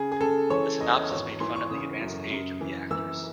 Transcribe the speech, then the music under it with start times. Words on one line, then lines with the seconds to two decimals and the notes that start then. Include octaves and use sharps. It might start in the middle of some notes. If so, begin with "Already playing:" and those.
The synopsis made fun of the advanced age of the actors.
Already playing: C#3 G#4
0.12 G#4
0.20 C#3 A4
0.50 E3 C#5
0.80 E2 D#5
1.10 G#1 C#5
1.40 E3 C6
1.56 C#6
1.70 C#3 D#6
2.01 F#2
2.31 F#2
2.61 E3
2.91 E3 E6